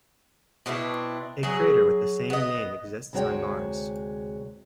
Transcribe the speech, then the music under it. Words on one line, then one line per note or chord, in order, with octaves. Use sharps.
A crater with the same name exists on Mars.
B2 C4 D4 E4
F#3 G#4
B3 D#5
D2 C3 G#3 F#4 C#5 G5